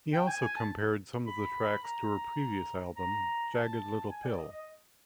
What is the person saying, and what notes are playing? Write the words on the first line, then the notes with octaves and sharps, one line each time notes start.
He also compared some of the tracks to her previous album, "Jagged Little Pill".
G5
G#5
G#5
A5
B5
A#5
A#5
A5
G#5
D5
D#5
D#5